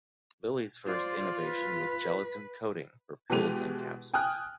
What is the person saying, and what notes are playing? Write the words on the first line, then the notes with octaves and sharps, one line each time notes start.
Lilly's first innovation was gelatin-coating for pills and capsules.
F4 C5 D5
B4
B2 E3 G#3 G4 D#7 F7
G5 G#5 D#6 F6 F#6